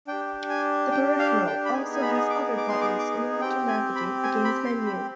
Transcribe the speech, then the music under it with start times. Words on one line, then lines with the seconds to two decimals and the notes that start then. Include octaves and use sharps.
The peripheral also has other buttons in order to navigate the game's menus.
0.08 D4 G4 G5
0.50 G#5
0.91 G5
1.19 F5
1.47 G5
1.65 B5
1.74 B3 D#4 G#4 G#5
1.94 G#5
2.02 B5
2.30 D6
2.57 D6
2.69 C6
2.81 D6
2.99 D6
3.40 C4 G5
3.44 G4
3.68 G#5
3.96 B5
4.23 G#5
4.44 B5
4.65 C6
4.86 B5